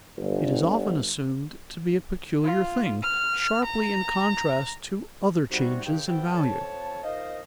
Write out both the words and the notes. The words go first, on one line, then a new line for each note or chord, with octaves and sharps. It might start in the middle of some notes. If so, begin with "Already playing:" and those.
It is often assumed to be a peculiar thing, sharply in contrast to other changes in value.
G1
F4
F6
A#5
C3 G3 D#4 F#4
G2 C#3 G5
B3 C4 F#4 A4 E5 G5
F2 C#5 A5
D#4 F4 A#4 C5 D#5